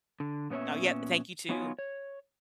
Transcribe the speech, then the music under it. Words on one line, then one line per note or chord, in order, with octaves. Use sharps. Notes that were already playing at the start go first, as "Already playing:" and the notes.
Oh, yeah, eh, thank you, too.
D3
A#2 B3 C#4 C#5 E5
F#3 B3 D#4 F4 C#5 G#5
C#5